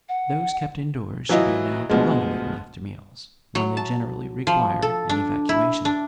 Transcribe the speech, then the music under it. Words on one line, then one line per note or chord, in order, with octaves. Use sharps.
Those kept in-doors should be allowed to run a little after meals, when they generally require an evacuation.
F#5
E3 F#3 E4 F4 D#5
D2 B2 F3 G#3
F#3
A5
F3
A4
D4
E4
D4